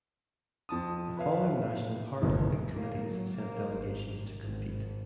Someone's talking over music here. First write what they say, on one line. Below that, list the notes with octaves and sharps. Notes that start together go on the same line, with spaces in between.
The following National Paralympic Committees sent delegations to compete.
F2 A5 D#6
B4 C#5 E5 F5
G1 C2 G2 A#2 D#3
A#3
F#3
A#3
G#1
G#1